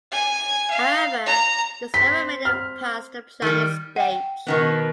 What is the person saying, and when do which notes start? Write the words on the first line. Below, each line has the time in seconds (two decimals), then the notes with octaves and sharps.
However, this never made it past the planning stage.
0.11 G#5
0.71 F5
1.26 A#5
1.94 C4 B6
2.45 F6
3.42 D#3 G3
3.96 F#5 G5
4.47 B2 D#3 B3